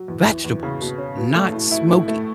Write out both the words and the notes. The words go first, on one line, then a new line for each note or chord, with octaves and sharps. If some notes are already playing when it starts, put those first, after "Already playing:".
vegetables, not smoky.
Already playing: F#3
E2
E3
E2
C#3
B2
C#4
B2
A3
A2
E4
A2
A3